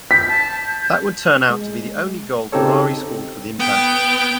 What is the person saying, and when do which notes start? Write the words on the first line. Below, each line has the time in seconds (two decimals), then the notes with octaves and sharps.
That would turn out to be the only goal Ferrari scored for the Impact.
0.11 G6 B6
0.28 A5
0.66 G6
1.50 G#3
2.52 C#3 C4 D#4 G4 A4 C#5
3.60 B3 G5